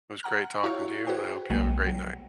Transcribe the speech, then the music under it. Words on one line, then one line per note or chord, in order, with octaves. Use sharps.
It was great talking to you, and I hope you have a great night.
F#5 A#5 F6
E4 F#4 G4 C#5 F5 C#6
F#4 G#4 B4 C5 G5
B1 F#3 G#3 A#3 G5
F#3